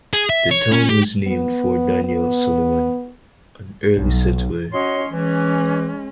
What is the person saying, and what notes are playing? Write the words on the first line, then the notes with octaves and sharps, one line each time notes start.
The town was named for Daniel Sullivan, an early settler.
G#4
E5
C#5
C#4
G4
B3
B3
B1
C#4 F#4 C#5 D#5 C6
E3 G#3 C#4